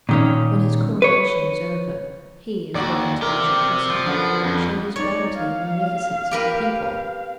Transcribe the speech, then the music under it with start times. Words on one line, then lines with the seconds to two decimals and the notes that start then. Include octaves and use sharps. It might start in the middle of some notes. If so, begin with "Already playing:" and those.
When his coronation was over, he, according to usual custom, showed his bounty and munificence to the people.
0.09 A#2 D#3 C#4
1.02 B4 C#5
2.75 D#2 F#4 D5
3.22 C4 G4 A#4
3.90 F3
4.06 F#2 D3 B3
4.44 F2
4.96 D#4 C#5 D5
5.37 F5
6.31 G4 A#4 B4